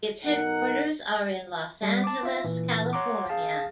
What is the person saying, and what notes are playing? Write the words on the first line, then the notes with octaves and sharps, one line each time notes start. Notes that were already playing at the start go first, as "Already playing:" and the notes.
Its headquarters are in Los Angeles, California.
B1 D#4 A#4 F#5
G3
A5 D6
F4 E5
A#2 E3
C#5 F#5 A#5 C6 D6
G#4 F5 A5